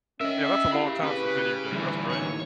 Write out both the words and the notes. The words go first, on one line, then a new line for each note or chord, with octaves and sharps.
Yeah, that's a long time for a video game, that's great.
C#4 A#4 D#5 E5
E4 G4 F5 B5
C#4 G#4 B4
D2 E3 G3 C#4
A1 D#2 C#5